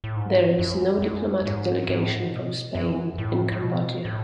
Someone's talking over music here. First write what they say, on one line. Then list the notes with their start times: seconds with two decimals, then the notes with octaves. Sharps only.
There is no diplomatic delegation from Spain in Cambodia.
0.04 A2
0.16 G#2
0.59 F#2
1.02 F#2
1.45 G#2
1.89 G#2
2.02 A2
2.16 G#2
2.32 B2
2.75 F#2
3.18 A2
3.52 A2
3.61 B2
4.05 A2